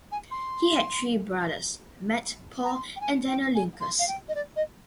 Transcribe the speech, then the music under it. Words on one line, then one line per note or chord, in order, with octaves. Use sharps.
He had three brothers: Matt, Paul, and Daniel Linkous.
G#5
C6
A#5
C6
G5
G#5
G5
G#5
C6
F5
G5
D#5
D5
D#5